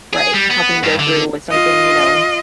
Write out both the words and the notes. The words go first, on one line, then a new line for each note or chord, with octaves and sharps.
Right, how can you go through with something, you know?
G#4
G3
B3
G2
D3
F4 D#5